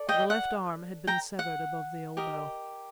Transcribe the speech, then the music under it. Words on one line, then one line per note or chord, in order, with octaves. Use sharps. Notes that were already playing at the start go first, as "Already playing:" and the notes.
The left arm had been severed above the elbow.
Already playing: A4 D5
D#5 G5
F#5
G5 A#5
F#5
G4 A#4 D#5